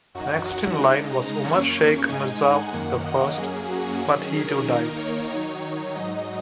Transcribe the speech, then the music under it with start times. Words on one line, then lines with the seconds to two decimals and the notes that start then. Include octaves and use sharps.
Next in line was Umar Shaikh Mirza I but he too died.
0.15 F#2 F#3 D#4 F#4
0.48 F#5
0.79 C#3 G#3 D#4
1.12 A#5
1.44 F#2 C#3 A#3 C#4 C#6
1.77 C#6
2.08 G#2 G#3 D#4 G#5
2.41 F#5
2.72 F#2 D#3 A#3 F#5
3.05 D#5
3.37 F#2 F#3 A#3 C#4 G#4
3.70 F#4
4.01 D#3 F#3 C#4 G#4
4.33 A#4
4.66 D#3 A#3 D#4
4.98 C#5
5.30 D#3 F#3 D#4
5.95 G#2 F#3 D#4 D#5